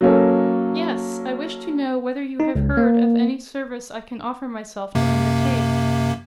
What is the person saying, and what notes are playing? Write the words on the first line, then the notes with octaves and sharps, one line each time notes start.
"Yes; I wish to know whether you have heard of any service I can offer myself to undertake?"
F#3 A#3 C#4 A4
D#4
C#2
A#3
F#2 C3 A#3